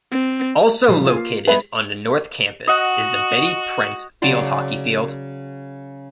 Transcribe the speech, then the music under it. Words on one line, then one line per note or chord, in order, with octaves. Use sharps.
Also located on the North Campus is the Betty Prince field hockey field.
C4
A#2 F3 G3
C#3 F4 G#4
A#3
G#3 B3 B4 E5
F#4 D#5 F#5
C#3 F#3 D5 C6